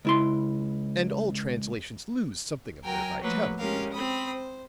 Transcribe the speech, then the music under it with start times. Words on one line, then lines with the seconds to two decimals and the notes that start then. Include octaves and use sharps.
"And all translations lose something of their vitality, you know."
0.05 C#2 E4 C6
2.83 F#3 F#4 A#4 G5 G#5 A#5
3.21 F3 F#3 A3 A#3 B4
3.58 G#3 C#4 G4 A#4 F5
3.93 C4 B5 D#6
4.32 C5